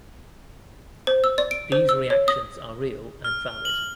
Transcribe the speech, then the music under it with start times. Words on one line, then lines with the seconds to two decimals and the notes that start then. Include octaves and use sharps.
These reactions are real and valid.
1.07 C5
1.24 E6
1.38 D5
1.51 D7
1.72 C5
1.89 E6
2.10 C#5
2.28 D#6
3.24 F6
3.65 F#7